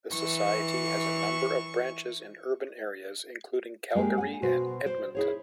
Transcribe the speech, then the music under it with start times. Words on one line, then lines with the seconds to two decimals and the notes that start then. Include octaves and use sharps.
The society has a number of branches in urban areas, including Calgary and Edmonton.
0.12 E3 C#6
3.95 G#3 A#3 D4 G4
4.17 F#5 G#5
4.42 B2 F#4 C5
4.86 C5 D5
5.15 E4 G#4 C#5